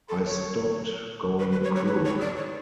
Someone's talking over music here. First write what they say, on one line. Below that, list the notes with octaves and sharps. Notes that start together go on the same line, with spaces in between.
I stopped going crook.
A4
C#5
B4
B4
C#5
C#5
B4
C#5
D5
C#5